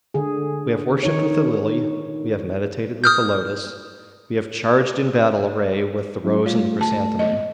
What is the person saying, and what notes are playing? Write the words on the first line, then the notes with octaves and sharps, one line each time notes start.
We have worshipped with the lily, we have meditated with the lotus, we have charged in battle array with the rose and the chrysanthemum.
D3 G#4
D#3 D#4 C#5
D#6 F6 G6
F#3 C#4 E4
G3 A3 F4 C#5
D2 A5
D#5